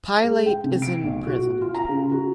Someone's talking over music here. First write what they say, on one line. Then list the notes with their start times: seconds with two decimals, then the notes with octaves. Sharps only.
Pilate is imprisoned.
0.24 G#3
0.46 G5
0.64 C3
0.82 D7
1.04 B1
1.27 F#4
1.61 F4
1.75 A#5
1.89 C#3
2.11 F#4